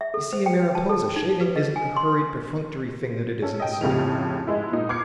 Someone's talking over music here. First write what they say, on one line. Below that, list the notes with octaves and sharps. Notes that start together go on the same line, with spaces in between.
You see, in Mariposa, shaving isn't the hurried, perfunctory thing that it is in the city.
E5
A4
C5
G5
A5
A4
D#4
B4
D#5
G#5
C6
C#4 A4
D#5 G5
F2 A2 C#3 G4 F7
G#2 G#3 E4
A#2 D#4
D6 F6 G#6 C7 C#7